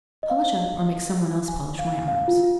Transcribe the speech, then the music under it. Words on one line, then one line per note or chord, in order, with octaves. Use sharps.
Polish up or make some one else polish my arms.
D#5
F5
G#5
F5
F5
F4
F4